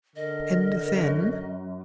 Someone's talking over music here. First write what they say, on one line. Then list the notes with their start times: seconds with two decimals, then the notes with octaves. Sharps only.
"And then?"
0.16 D3 A#4 D#5
0.96 F#2